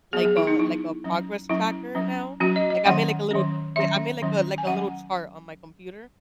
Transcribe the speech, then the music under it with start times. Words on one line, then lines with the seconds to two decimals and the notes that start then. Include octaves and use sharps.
like a like a progress tracker now. Like, I made, like, a little Yeah, I made, like a like a little chart on my computer.
0.13 F#3 B3 G#4
0.25 G#4
0.37 E4
0.47 D#4
0.59 F#3 B3 E4
1.04 F#3 C#4
1.49 F#3 C#4 E4
1.95 F#3 C#4
2.40 F#3 C#4 F#4
2.56 D#5
2.70 D#5
2.86 D#3 F#3 C#4 F#5
3.31 D#3 F#3 C#4
3.76 D#3 F#3 C#4 E5
4.22 D#3 F#3 C#4
4.58 G#5
4.67 F#3 C#4 F#5